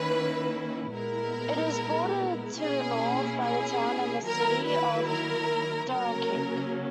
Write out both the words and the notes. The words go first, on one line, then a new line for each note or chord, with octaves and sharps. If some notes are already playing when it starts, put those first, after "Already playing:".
It is bordered to the north by the town and city of Dunkirk.
Already playing: D#3 A#3 C#4 E4 B4
A#2 G#3 B3 E4 A#4
B2 A#3 C#4 E4 G#4
G#4
D#3 F#3 A#3 E4 A#4
B4
A#4
C#3 F#3 A#3 C#4 A#4